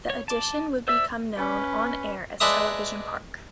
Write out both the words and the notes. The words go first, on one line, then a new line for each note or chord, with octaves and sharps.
The addition would become known on-air as Television Park.
C#5
A5 D6
C5 D5 E5 E6
C#4 B4
G#3 D4 B4 E5 D#6